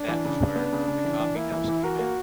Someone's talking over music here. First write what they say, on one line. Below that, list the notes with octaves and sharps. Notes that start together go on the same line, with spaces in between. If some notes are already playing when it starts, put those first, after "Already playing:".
That was where the coffeehouse came in.
Already playing: D4
E3
C#3
C#3
B3
C#3
C#3
E3
E3
A#3 E4
E3
E3
F#4 A#4
A#3